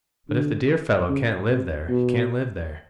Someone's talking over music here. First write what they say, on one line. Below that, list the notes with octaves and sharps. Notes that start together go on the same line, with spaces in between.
But if the dear fellow can't live there, he can't live there.
D3
C#3
C3
B2